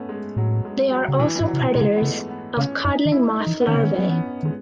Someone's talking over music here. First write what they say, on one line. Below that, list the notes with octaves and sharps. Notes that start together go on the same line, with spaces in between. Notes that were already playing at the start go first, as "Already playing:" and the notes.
They are also predators of codling moth larvae.
Already playing: A3 B3 C#4
G#3
A2 F#3
G#3
F#3
C#3
F#3
B2 E3
G#2 E3
F#3
C#3
B2
B2 G#3
C#3
B3
C#3 A3
B3
C#3 C#4
F#2 D#4
D#3
E4
D#4
E3
B3
D#3 C#4
C#3
D#3
B3
F#3 C#4
E3 B3
D#3 G#3